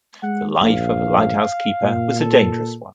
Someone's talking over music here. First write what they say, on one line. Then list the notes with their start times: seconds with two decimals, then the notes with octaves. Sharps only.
The life of a lighthouse keeper was a dangerous one.
0.23 G#3 F#5
0.61 A#1 F5
1.81 A#2
2.20 A4